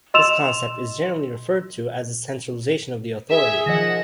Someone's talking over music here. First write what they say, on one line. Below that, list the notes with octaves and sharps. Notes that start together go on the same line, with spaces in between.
This concept is generally referred to as the centralisation of the authority.
D#5 C6 E6 E7 F7
G#4 E5 E7
D#3 F3 D#5 F#5 A#6